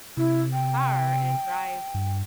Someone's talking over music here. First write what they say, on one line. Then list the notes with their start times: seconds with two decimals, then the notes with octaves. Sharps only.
car and drive
0.17 C3 E4
0.53 G5
1.94 G2